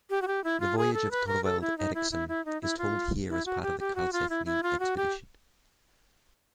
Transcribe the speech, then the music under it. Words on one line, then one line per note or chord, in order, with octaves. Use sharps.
The voyage of Thorvald Eriksson is told here as part of the Karlsefni expedition.
G4
F#4
G4
E4
F4
G#4
A4
B4
A#4
A4
E4
D#4
E4
E4
E4
D#4
E4
F4
E4
F#4
G4
G4
F#4
F4
E4
E4
F4
F#4
G4